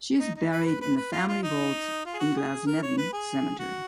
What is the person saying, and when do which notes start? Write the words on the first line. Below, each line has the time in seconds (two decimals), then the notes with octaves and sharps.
She is buried in the family vault in Glasnevin Cemetery.
0.20 D#4
0.35 D#4
0.51 B4
0.66 B4
0.81 B4
0.97 B4
1.12 F4
1.28 F4
1.43 D#4
2.05 F4
2.14 G#4
2.20 F#4
2.36 G#4
2.67 A#4
2.82 C#5
2.98 B4
3.12 G#4
3.59 F#4